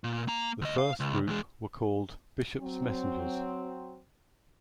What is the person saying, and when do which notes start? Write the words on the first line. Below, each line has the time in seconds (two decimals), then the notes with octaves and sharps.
The first group were called "Bishop's Messengers".
0.04 A#2
0.27 A#3 A#5
0.61 D2 D#5
0.78 F5
1.00 C#2
1.27 E2 G#3
2.61 F#3 C4